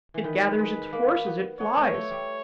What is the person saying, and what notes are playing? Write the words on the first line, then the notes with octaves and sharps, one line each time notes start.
It gathers its forces, it flies!
E3
D#3 B4
G#3
A#3
B3
B3 C#5
A3
A3
G3